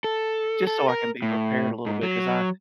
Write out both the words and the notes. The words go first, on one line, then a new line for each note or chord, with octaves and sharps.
just so I can be prepared a little bit 'cause I,
A4
A4
A#4
A2
G#2
F#3